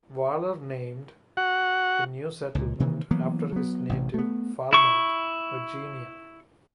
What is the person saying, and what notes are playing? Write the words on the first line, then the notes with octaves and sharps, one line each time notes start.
Waller named the new settlement after his native Falmouth, Virginia.
F#4 F#5
C#2 A#2
C3 D#3 E3 A#3
E3 F#3 A#3 B3
F#3 B3
A1 C3
A3 B3
E4 C#6